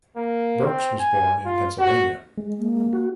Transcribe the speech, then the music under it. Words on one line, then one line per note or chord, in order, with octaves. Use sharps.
Birx was born in Pennsylvania.
A#3
C4
G#5
F4
F#4
G#3
A#3
F#4